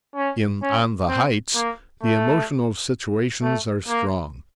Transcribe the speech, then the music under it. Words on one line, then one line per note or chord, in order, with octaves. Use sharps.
In 'On the Heights' the emotional situations are strong.
C#4
C#4
C4
A#3
A3
A3
A#3